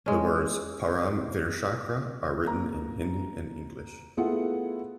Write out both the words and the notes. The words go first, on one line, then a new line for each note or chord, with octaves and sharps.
The words "Param Vir Chakra" are written in Hindi and English.
G#3 C#4
A#3 A#5
A3 B3 E4 F4 G#4 F#5